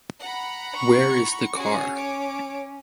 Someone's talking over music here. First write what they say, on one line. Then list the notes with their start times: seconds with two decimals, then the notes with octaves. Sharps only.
Where is the car?
0.21 F#5 A#5 B5
0.74 C#6
1.56 C#4 F#4 G#4
1.95 C#5 D6